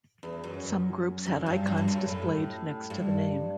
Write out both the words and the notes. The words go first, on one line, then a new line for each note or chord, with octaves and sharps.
Some groups had icons displayed next to the name.
E2
F#2
F#2
G2
G2
G2
F#2
A2
G2